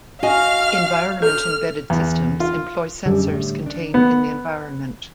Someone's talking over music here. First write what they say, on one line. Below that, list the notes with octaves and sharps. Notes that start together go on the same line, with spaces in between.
Environment-embedded systems employ sensors contained in the environment.
F#4 D#5 F5 G#5 F6
A4 F6
E2
F4
F#2 D3 G3
A2 G3
D4
B3